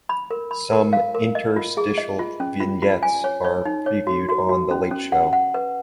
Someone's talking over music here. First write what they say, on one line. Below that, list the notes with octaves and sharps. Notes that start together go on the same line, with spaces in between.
Some interstitial vignettes are previewed on "The Late Show".
B5
A#4
B5
A#4
F5
A#4
D#5
F4
G#4
D#5
F4
C#4
F4
F4
G#5
C#5
C#5
D#4
C#5
F#4
F#4
F#4
C#4
C#4
F#5
F#5
B4